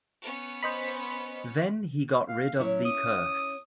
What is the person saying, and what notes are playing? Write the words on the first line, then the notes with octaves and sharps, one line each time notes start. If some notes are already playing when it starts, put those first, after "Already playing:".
Then he got rid of the curse.
B3 C#4
C5 D#5 B5
F5
F#3 C#4 E4 C#5
D#6